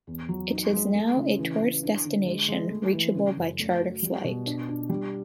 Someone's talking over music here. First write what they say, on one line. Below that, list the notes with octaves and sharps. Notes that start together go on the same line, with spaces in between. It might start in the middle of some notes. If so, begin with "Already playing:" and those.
It is now a tourist destination reachable by charter flight.
E2
F#3
D#4
G#3
A3
C#3
E3
E3
D4
D3
G#3
G#3
A3
E3
C#3
F#2
A3
F#4
G3
B2
D4
D4
G3